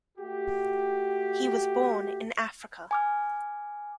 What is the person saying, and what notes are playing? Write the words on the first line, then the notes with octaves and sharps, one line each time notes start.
He was born in Africa.
A3 F#4 G4
G#5 D6 F6